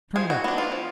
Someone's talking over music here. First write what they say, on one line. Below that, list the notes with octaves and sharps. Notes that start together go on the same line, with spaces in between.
"Turn it out!"
F3 G#4
F#4
B3 D4 F#4
F4
F3